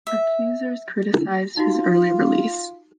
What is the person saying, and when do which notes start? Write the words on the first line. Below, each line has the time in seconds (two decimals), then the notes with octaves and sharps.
Accusers criticized his early release.
0.07 E5
1.57 D#4 F4 F#4